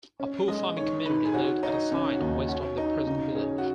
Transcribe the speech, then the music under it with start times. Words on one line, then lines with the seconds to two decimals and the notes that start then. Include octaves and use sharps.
A poor farming community lived at a site west of the present village.
0.20 C#4
0.48 G#3 D#5
0.76 D#3 C#5
1.05 D#3 B4
1.25 G#4
1.34 F#4 C#5
1.63 D#4 C#5
1.91 C#3 C#4
2.14 F#4
2.20 D#2 D#4
2.48 C#4 F#4
2.77 D#4 D#5
3.06 C#3 D#4
3.35 C#4 G#4
3.58 F#4